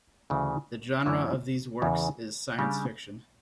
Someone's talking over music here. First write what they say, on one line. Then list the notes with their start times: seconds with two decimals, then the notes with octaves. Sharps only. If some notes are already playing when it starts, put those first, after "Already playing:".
The genre of these works is science fiction.
0.30 D2 C#3 E3
1.06 F#2 E3 A3 C#4 E4
1.82 E2 C#3 E3
2.59 C#3 G3 D4 G4